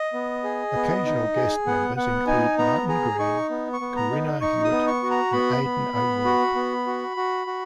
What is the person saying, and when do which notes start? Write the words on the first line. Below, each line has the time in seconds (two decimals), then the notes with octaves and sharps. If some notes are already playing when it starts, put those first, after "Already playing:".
Occasional guest members include: Martin Green, Corrina Hewat and Aidan O'Rourke.
Already playing: D#5
0.13 B3
0.44 G#4
0.75 B3
1.06 D#4
1.36 G#4
1.67 B3 F#5
1.97 B3 F#5
2.27 D#4 G#5
2.58 B3 A#5
2.88 G#4 A#5
3.19 D#4 C#6
3.50 B3
3.73 C#6
3.81 B3
3.96 A#5
4.11 D#4
4.41 D#4 C#6
4.65 D#6
4.72 B3
4.87 C#6
5.03 F#4
5.11 A#5
5.33 B3 B5
5.64 B3
5.94 B3
6.25 F#4
6.55 B3
6.86 F#4
7.17 F#4
7.47 F#4